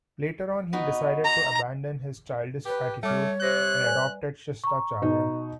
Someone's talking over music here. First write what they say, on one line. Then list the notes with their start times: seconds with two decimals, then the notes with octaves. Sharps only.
Later on he decided to abandon his childish attitude and adopted shistacharya.
0.73 B3 D#4 F#4
1.25 A#5
2.66 G4 B4
3.03 G3 A3 C#5 D6 F6
3.42 C3 C5 F#6 A#6
3.83 B4 D5 G#5
4.64 A#5 C#6
5.02 B2 D#4